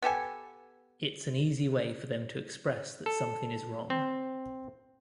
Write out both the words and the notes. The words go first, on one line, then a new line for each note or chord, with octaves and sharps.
It's an easy way for them to express that something is wrong.
B3 G4 A4 G#5
A4
C4